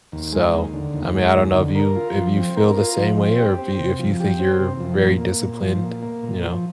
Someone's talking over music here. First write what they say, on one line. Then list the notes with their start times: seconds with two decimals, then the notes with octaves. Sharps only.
So, I mean, I don't know if you if you feel the same way or if you if you think you're very disciplined, you know?
0.12 D#2
0.33 G#3
0.53 D#2
0.73 D3
0.94 D#2
1.14 G#3
1.35 D#2
1.55 D3
1.75 A#4
1.96 F4
2.16 F3
2.36 C4
2.57 A#4
2.77 F4
2.97 F3
3.18 C4
3.38 G4
3.58 C4
3.79 C3
3.99 F3
4.20 G4
4.40 C4
4.60 C3
4.80 F3
5.01 A#2
5.21 A#3
5.42 A#2
5.62 F3
5.82 A#2
6.03 A#3
6.23 A#2
6.43 F3